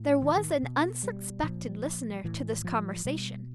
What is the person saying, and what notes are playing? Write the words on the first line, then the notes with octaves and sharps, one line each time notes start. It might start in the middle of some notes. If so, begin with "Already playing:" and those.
There was an unsuspected listener to this conversation.
Already playing: A2
D#3
D#3
B2
G3
A#2 F3
A2 E3
F3
B2 G3